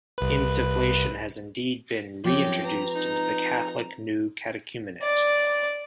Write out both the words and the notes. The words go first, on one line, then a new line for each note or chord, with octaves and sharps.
Insufflation has indeed been re-introduced into the Catholic new catechumenate.
C2 B4
F#2 F3 G#3 C4 G4 C#5
B4 A#5
D#4
D5